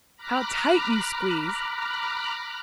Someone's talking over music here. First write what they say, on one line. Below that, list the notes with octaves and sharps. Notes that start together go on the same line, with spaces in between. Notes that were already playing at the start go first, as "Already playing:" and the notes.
How tight you squeeze!
A#5 B5 D6 F6 F#6